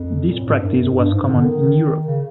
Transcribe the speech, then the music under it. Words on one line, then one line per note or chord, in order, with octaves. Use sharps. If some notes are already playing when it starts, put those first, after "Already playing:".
This practice was common in Europe.
Already playing: F2
A#2
A2
G#2
G2
F#2
F#2
G#2
G2
G#2
D3
D#3
C#3